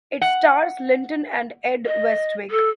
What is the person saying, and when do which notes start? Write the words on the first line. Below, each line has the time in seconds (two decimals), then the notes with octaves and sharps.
It stars Linton and Ed Westwick.
0.21 F#5
1.86 D#5
2.51 A4